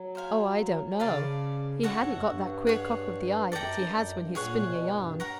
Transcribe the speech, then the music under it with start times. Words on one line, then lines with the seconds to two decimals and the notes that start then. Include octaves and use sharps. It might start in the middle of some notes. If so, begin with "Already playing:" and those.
"Oh, I don't know; he hadn't got that queer cock of the eye that he has when he's spinning a yarn."
Already playing: F#3
0.15 C5 F5 G#5
0.99 C#3 B4 D5 F5 A5
1.83 G#2 F#4 A4 C#5 F#5
1.97 G2
2.09 F#2
2.21 G2
2.67 G#4 C#5 F#5
3.44 G2
3.52 F#2 A4 D5 G5 A#5
3.72 G2
3.88 G2
3.93 F#2
4.14 G2
4.27 B2
4.35 A#2 G#4 C#5 F#5
4.53 C3
4.64 B2
4.91 G2
5.20 A#4 C#5 F#5 A#5